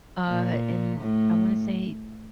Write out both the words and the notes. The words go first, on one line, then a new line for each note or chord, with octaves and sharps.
uh, and I wanna say
A#2
A2